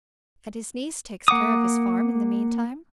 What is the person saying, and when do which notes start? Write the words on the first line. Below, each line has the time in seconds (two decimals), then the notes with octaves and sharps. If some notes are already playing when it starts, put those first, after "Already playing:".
"And his niece takes care of his farm in the meantime?"
1.28 A#3 F#5 D6 D#6